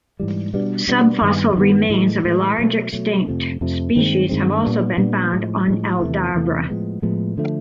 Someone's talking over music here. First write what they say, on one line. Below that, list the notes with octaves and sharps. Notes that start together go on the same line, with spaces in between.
Subfossil remains of a large, extinct, species have also been found on Aldabra.
G#2 E3 G3
B2 G3 B3 D4
B2 G3 B3 D4
G2 D#3 G3 B3
G2 D#3 G3 B3
A2 E3 G#3
A2 E3 G#3
B2 F#3 A3
B2 F#3 A3
F2 C3 F3 A3
F2 C3 F3 A3
G2 D#3 G#3 C4
G2 D#3 G#3 C4
A#2 G3 B3 D4
A#2 G3 B3 D4
A2 F3 G#3
A2 F3 G#3
E2 C3 E3 A3
E2 C3 E3 A3
A2 F3 G#3 B3
A2 F3 G#3 B3
D3 F3 A3